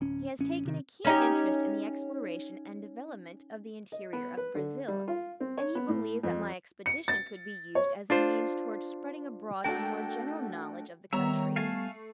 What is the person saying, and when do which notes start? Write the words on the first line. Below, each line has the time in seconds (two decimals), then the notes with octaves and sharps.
He has taken a keen interest in the exploration and development of the interior of Brazil, and he believed that my expedition could be used as a means toward spreading abroad a more general knowledge of the country.
0.01 D1 C#4
0.39 A1 C#4
0.65 C3 D#3
1.05 C#4 D#4 G4
3.92 D#5
4.13 B3
4.37 B4
4.55 D3
4.88 G3
5.08 F4
5.40 C4
5.58 C#5
5.75 B3
5.88 A2
6.23 F2
6.86 C#7
7.08 A6
7.75 C#5
8.10 D4 F4 C5
9.64 A3 D4 F#4 A4 A#4 G5
11.13 D#3 G3 B3 C#5 E5 A#5 F7
11.56 A3 F5 G#5 A5 C7